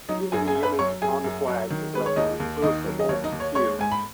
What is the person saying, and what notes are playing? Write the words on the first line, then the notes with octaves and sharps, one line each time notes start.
Even the image on the flag is of reversible cubes.
F#3 D#4 D#5
F#2 G#4 G#5
G#4 G#5
F#2
B4 B5
F#3 C#5 C#6
F#2 G#4 G#5
F#2
F#3
D#3
G#3 B4
C#5
D#2 D#4 D#5
D#2
D#3 D#4 D#5
F#3
D#5
D#2 C#5
D#4 D#5
D#2
C#5
G#3 C#5 C#6
G#2 G#5
B5